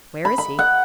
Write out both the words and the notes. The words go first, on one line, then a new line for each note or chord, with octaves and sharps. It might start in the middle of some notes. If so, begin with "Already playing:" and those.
"Where is he?"
B5
B5
F#5